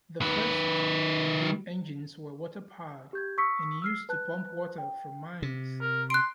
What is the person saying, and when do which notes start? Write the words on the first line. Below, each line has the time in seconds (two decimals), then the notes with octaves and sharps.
The first beam engines were water-powered, and used to pump water from mines.
0.21 D#3 B4
3.13 G4 G6 G#6
3.38 C#6 D#6 E6 B6 C#7
3.82 E6 F6 C7
4.09 B4 A5 F#6
4.78 G5
5.42 C3
5.81 A#4
6.10 C6 F#6 D7